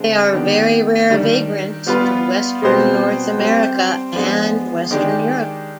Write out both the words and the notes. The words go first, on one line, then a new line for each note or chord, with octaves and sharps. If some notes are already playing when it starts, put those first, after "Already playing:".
They are very rare vagrants to western North America and western Europe.
Already playing: D3 G#3 C4
D#3 B3 D4 G4
D#3 G3 D4
G3 B3 F4 B4
B2 G3 C4 G4 C5
G3 C4 G4 C5
F3 G#3 B3 D4
D#3 G#3 D4 G4 D5